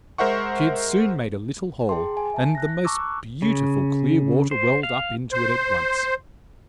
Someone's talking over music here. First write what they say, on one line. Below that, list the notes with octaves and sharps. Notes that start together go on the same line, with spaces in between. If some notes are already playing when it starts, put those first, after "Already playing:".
She had soon made a little hole, and the most beautiful clear water welled up into it at once.
G#3 A#4 C5 E5 F#5 C#6
G#4 G5 A5 C6
G#5
E5 A5
F#6 A#6
A5 A#5 C#6 D6 E6
F#6
C#3
C5
F5
C5